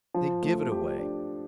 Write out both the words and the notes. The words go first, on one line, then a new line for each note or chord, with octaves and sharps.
They give it away.
F3
A3
G4
D4